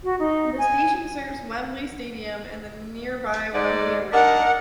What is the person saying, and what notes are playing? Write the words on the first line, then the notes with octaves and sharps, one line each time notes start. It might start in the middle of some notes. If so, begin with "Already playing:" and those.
The station serves Wembley Stadium and the nearby Wembley Arena.
F#4
D#4
G#5
G#2 D5
D4 D#4 A#4 F#5